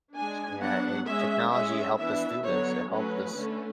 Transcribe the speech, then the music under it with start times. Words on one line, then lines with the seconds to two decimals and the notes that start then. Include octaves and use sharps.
Yeah, and technology helped us do this. It helped us
0.15 G#3 D4 G#5
0.61 F#3 B3 D4 F#5
1.07 G#3 C#4 E5
1.53 G#3 C#4 E5
1.98 E3 B3 D4 E5
2.44 D3 F#3 B3 C#5
2.91 F#3 A3 C#4 B4
3.36 D3 A3 C#4